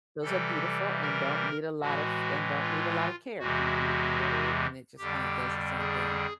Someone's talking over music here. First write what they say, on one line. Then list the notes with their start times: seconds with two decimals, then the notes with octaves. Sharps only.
those are beautiful and don't need a lot of and don't need a lotta care. You know, you can water it, and it just kinda does its own thing.
0.22 C3 E3 G3 A4
1.02 A#4
1.81 A2 E3 G#3 F#4
2.60 F4
3.39 E2 C3 E3 G#3 F#4
4.98 F2 D3 G3 G4
5.78 G#4